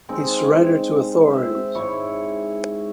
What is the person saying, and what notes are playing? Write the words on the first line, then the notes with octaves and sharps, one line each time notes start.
He surrendered to authorities.
G#3 C4 D#4
C5 E5
G#2 E4 C#5 D6